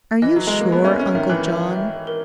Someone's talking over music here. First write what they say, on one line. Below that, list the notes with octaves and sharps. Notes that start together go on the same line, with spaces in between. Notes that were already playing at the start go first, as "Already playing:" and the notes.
"Are you sure, Uncle John?"
E3 D#5
F#3
G#3
D#5
A#3
B3
C#4 E5
C#4
D#3 E5
E3
E5
E5
A#4